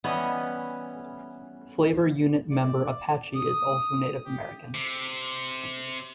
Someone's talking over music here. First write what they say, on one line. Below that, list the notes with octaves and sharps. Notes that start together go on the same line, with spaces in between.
Flavor Unit member Apache is also Native American.
E3 G3 B3 C#4 D#5
D5
D#6
G4
C3